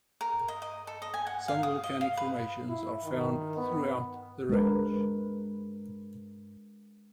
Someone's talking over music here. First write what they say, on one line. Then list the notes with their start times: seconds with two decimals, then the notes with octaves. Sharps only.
Some volcanic formations are found throughout the range.
0.21 A#4
0.48 D#5
0.62 D#5
0.87 A4
1.02 D#5
1.14 G#5
1.27 F#5
1.48 F5
1.63 D#6
1.84 D#5
2.01 F5
2.17 B4
2.68 E4
3.03 D#3
3.57 B3
4.49 G#3 D4 A#4 B4